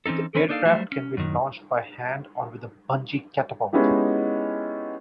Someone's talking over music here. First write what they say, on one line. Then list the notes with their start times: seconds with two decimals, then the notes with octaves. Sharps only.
The aircraft can be launched by hand or with a bungee catapult.
0.06 E3 C4 C#4 D#4 A4
0.35 E3 C4 C#4 B4 C#5
0.49 A#3 D4 D#4 A4 D5 F5
0.65 F#3 G3 A3 C5 E5
0.92 C#4
1.17 F#2 D#3
3.73 G#3 B3 C#4 D#4 E4 G4